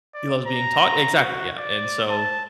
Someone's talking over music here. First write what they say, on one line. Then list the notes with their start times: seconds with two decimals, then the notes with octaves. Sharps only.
he loves being talk exactly, yeah, and so
0.14 D5
0.48 A#5
1.16 F#4
1.58 D5
2.10 A5